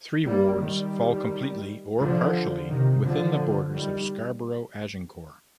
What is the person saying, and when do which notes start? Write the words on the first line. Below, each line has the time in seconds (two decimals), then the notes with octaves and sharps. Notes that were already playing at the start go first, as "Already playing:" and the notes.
Three wards fall completely or partially within the borders of Scarborough-Agincourt.
0.24 G3 A#3
0.59 D#3 G3
1.99 D3 F3
2.69 C3 D#3
3.04 D3 F3
3.74 D#3 G3